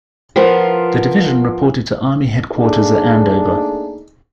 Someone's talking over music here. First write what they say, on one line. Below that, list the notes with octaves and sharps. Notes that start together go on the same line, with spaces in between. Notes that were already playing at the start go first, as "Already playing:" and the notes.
The division reported to Army Headquarters at Andover.
F3 B3 F4 A#4
A3 A#3 D4 D#4 G#4